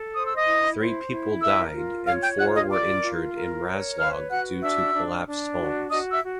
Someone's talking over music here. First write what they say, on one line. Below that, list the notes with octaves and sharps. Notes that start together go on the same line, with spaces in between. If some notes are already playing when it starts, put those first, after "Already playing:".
Three people died and four were injured in Razlog due to collapsed homes.
Already playing: A4
C5 D#6
E6
D#5 D#6
E4
C5
E4
A#4 E5 E6
F4
C#5 F5 F6
G5 G6
F4 F#5 F#6
D#5 D#6
A#4 D5 D6
F4
A#4
C#5
B4 F5 F6
F#4 F#5 F#6
D4 E5 E6
D4
D4
F#4
F#4 D#5 D#6
E5 E6
F#4